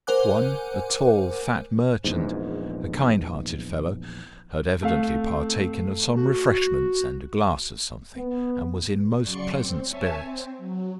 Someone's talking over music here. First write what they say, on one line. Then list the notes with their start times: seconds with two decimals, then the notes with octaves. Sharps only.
One, a tall, fat merchant, a kind-hearted fellow, had evidently partaken of some refreshments and a glass of something, and was in most pleasant spirits.
0.07 A#4 C5 F#5 G#5 D6 F#6
2.04 A#1 E2 G#2
4.83 A3 C4 A4 F5
6.17 F#4
8.16 B3
9.21 C#3 F#3 D5 C6 C#6 C#7
9.52 C4
9.84 C#5 E5 G#5 A5
10.19 C4
10.57 F#3